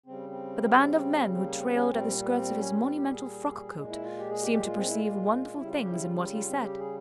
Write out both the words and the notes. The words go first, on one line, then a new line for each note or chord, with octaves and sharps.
But the band of men who trailed at the skirts of his monumental frock-coat seemed to perceive wonderful things in what he said.
C#3 G3 C4
C4
C4
A#3
C4
C#4
A#2 G3 C4
C4
C#4
C4
G4
G#4
A#2 G#3
E4
F4
G4
G#4
G4
G4
F4
C4
E4
F4
C#3 G3 E4
F4
G4
E4
F4
F4
F4
C4
G4
G#4